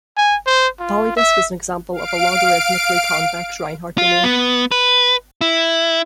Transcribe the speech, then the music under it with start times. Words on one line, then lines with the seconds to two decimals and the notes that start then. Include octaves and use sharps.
A polydisc is an example of logarithmically convex Reinhardt domain.
0.17 G#5
0.47 C5
0.80 F4
1.17 E5
1.93 F5 D7
3.98 F4
4.24 B3
4.72 B4
5.41 E4